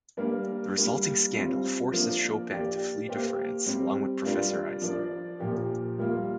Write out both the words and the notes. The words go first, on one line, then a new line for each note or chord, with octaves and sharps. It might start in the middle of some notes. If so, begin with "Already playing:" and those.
The resulting scandal forces Chopin to flee to France, along with Professor Eisner.
G3 A#3 D4 A#4
G3 A#3 D4
G3 C4 F4
F3 A#3 D4
A#3 G4 D5
A#3 G4 C5
G3 C4 G4
G3 D4 F4 A#4 D5
F3 D4 A#4 D5
A#2 F3 A#3 G4
G3 A#3 F4